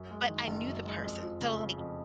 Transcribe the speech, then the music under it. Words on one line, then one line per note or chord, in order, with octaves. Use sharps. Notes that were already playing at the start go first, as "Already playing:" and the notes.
but I knew the person. So, like,
Already playing: F#2
G#3
D#3
F#1
F#2
G#3
F2
F3
C#3
F1
F2